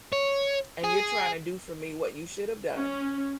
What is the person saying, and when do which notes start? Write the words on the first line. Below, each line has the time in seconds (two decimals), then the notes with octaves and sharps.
and you're trying to do for me what you should have done
0.13 C#5
0.84 G#4
2.75 C#4